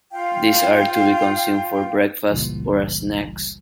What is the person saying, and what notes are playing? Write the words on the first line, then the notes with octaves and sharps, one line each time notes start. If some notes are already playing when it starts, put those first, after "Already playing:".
These are to be consumed for breakfast or as snacks.
F4 F5 G5
G1 C#2 A#2 E3 G3